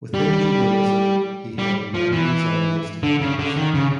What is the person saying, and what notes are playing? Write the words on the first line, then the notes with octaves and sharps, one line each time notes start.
Within Judaism, he held mildly Zionistic views.
G3
G3
F3
E3
D3
C#3
D3
D#3
C#3